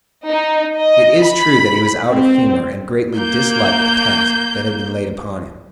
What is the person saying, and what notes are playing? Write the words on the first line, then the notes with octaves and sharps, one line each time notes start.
It is true that he was out of humor and greatly disliked the task that had been laid upon him.
D#4
D#5
B5
C4
A#3 G6